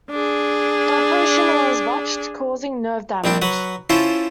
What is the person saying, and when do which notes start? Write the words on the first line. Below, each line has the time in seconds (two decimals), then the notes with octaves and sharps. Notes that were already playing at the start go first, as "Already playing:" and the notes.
The operation was botched, causing nerve damage.
0.11 D4 G#4
3.24 A#1 G3 C4 D4
3.42 F#3 B4 F#5
3.90 C#4 E4 F4 A4 C5